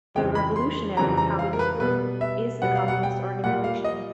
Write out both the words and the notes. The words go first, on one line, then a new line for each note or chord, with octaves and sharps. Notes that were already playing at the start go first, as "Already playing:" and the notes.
The Revolutionary Communist Group is a communist organisation.
F2 C#3 E3 G3 C4 G5
B5
C6
F2 C#3 E3 G3 C4 A#5
A#5
F5
A#4
B4
B2 G3 B3 B4
E5
B2 G3 B3 F#5
F5
F#5
G5
A#2 G3 A#3 F#5
F5
D#5